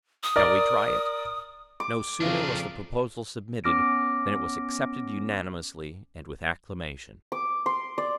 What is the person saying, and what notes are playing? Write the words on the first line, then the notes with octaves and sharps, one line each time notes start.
"Shall we try it?" No sooner was the proposal submitted than it was accepted unanimously and with acclamation.
D#6
A#4 D5
D6
F2 C#3 D4 F4 A#4
B3 C#4 D6 F6 A#6 D7
D6
C6
D5